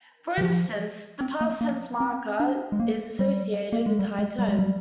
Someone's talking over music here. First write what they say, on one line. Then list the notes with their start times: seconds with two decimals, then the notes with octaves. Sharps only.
For instance, the past tense marker is associated with high tone.
0.38 D#3
0.41 F3
1.21 C4
1.41 A#3
1.61 A#3
2.00 C4
2.40 D4
2.72 G#3
2.80 A#3
3.19 G3
3.72 A#3
3.86 G#3
3.99 G3
4.19 G#3
4.39 G3
4.49 G#3
4.59 G3